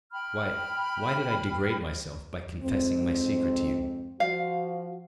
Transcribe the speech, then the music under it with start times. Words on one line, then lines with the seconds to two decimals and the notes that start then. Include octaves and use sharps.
Why, why did I degrade myself by confessing my secret to you?
0.12 G5 B5 F6
2.63 F2 G#2 C4
4.20 F3 F#4 F5